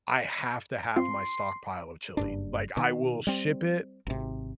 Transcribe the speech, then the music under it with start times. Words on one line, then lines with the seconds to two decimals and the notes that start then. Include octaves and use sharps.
I have to have my stockpile of chili. Like, I will ship it.
0.96 C4 F4 C6
2.17 F#1 G2 D4
2.77 B2 D#3
3.27 G3 C4
4.07 G#1 C3